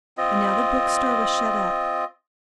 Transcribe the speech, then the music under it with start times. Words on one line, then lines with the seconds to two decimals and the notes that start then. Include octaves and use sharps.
And now the bookstore was shut up.
0.18 C4 F4 D#5